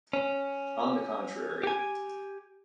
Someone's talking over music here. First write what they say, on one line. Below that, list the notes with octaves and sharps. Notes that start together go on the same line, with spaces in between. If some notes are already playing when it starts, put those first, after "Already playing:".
On the contrary.
C#4
G4 G#5